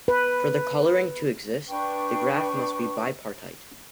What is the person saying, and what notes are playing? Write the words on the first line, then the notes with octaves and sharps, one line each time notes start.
For the coloring to exist, the graph must be bipartite.
B4
D4 B4 G5 C#6